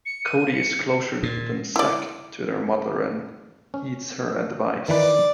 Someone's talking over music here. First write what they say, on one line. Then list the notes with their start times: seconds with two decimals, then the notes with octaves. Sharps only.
Cody is closer than Zack to their mother and heeds her advice.
0.06 C#7
0.25 D#7
0.53 C#7
1.23 A#2
1.76 E4 D5
3.74 C#4
4.88 D#3 E3 B4 D5